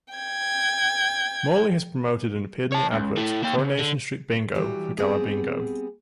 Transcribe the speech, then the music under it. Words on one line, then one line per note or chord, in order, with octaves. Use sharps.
Morley has promoted and appeared in the adverts "Coronation Street" Bingo for Gala Bingo.
G5 G#6
C#5 A5
C#2
A3 E4
A#3 G5
C#3
D3
E3 F#3 G3 G4
G3 B3 C4 G#4